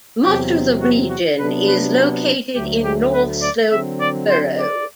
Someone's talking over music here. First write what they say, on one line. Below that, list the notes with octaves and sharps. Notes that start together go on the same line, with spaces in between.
Much of the region is located in North Slope Borough.
E2 C3 F#3 C4 G4
F#4
F#4
C3 F#3 B3 D4 B4
B4
D2 D3 F#3 A3 G4
G4
B4
D5
D3 F#3 C4 E5
D5
C5
D5